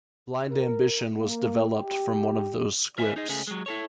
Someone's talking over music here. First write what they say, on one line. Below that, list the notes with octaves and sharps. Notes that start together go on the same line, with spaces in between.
"Blind Ambition" was developed from one of those scripts.
A#4
A#3
G4
A#4 B4 E5 G#5
D#4 G#4 D#5
C#2 G#3 A3 C#4 G#4
F#3 G#3
E4 A4 C#5